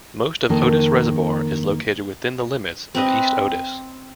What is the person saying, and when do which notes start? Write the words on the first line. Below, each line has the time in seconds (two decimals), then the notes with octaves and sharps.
Most of Otis Reservoir is located within the limits of East Otis.
0.49 F2 D#3 A#3 A4 A#4
2.95 C4 B4 D#5